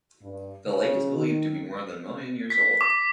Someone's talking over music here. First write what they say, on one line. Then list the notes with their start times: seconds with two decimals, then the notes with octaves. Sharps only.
The lake is believed to be more than a million years old.
0.22 G2
0.67 C#3
1.16 D#3
2.50 B6
2.81 D6